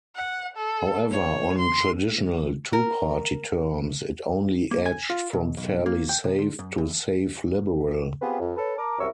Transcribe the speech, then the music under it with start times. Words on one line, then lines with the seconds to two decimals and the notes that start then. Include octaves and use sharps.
However, on "traditional" two-party terms, it only edged from fairly safe to safe Liberal.
0.15 F#5
0.57 A4
1.11 C#5
1.58 C6
2.73 A#4
4.71 A#3
4.86 G#5
5.10 F4
5.33 B2
5.57 B1
5.86 A#3
6.09 G5
6.24 C3
6.38 D3
6.59 F#2
6.78 E2
8.21 B3 C4 F4 G4 G#4 B4
8.40 F2
8.57 A4 B4 C#5 A5
8.77 A#4 A5 A#5 D6
8.98 C2 F#2 E4 A#4 C#6 E6